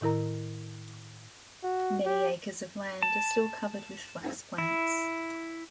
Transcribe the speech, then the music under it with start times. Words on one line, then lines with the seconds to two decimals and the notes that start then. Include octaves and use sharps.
Many acres of land are still covered with flax plants.
0.01 A2 D#3 E4 A#4 A#5
1.63 F#4
2.06 G4
3.03 A5
4.58 E4